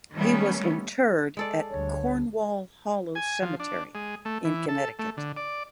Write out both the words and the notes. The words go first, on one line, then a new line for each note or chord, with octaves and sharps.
He was interred at Cornwall Hollow Cemetery in Connecticut.
D#3 G3 A3 B3 C#4
G#3 A4 D5
D2 D3 G3 C#5
G#5
F3
D4
G#3
A3
E3
A4
A3
D3
D5